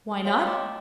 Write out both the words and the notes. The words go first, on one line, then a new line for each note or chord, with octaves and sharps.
"Why not?"
C#5 F5 G5 C6
A3 D#5 D6